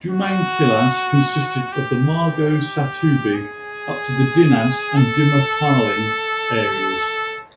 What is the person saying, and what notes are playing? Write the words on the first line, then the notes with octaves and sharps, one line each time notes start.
Dumangkilas consisted of Margosatubig up to the Dinas and Dimataling areas.
F#4
G4
G#4
A4